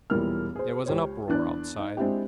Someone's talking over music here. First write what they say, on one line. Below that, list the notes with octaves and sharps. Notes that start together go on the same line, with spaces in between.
There was an uproar outside.
E1 A#2 E3 G3 A#3 F6
G#4 C5
C#2 G4 C5 C#5
E2 E3 D4 F#6
D#4
G#3 C4 D4 E4 G4